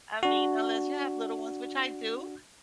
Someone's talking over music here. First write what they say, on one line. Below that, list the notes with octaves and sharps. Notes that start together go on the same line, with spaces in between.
I mean, unless you have little ones, which I do,
D4 F#4